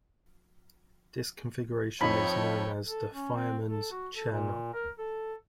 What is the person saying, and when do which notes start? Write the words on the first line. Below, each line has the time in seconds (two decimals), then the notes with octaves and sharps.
This configuration is known as the fireman's chair knot.
2.01 F2 F3 D#4 C#5 G5 B5
2.86 A4
3.13 C#4
3.34 C4
3.67 A4
3.91 F#4
4.14 A4
4.32 A#2
4.74 A#4
4.99 A4